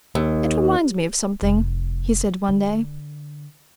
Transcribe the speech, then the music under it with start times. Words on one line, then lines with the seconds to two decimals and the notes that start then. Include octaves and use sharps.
"It reminds me of something," he said one day.
0.15 D#2
1.42 F1
2.48 D3